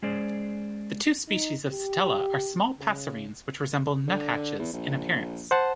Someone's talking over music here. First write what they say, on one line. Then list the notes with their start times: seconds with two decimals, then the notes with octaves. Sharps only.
The two species of sittella are small passerines which resemble nuthatches in appearance.
0.02 G#3 C#4 G#4 C5 D5
1.28 D#4
1.71 G4
2.78 C#3
4.08 D3
4.59 E2
4.73 A#1
5.51 C5 F#5 A5